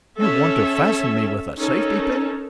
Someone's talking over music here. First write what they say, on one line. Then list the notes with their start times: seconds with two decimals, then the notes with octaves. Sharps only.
"You want to fasten me with a safety-pin?"
0.19 C#4 A4 E5
1.57 C#4 D#4 A4 A#4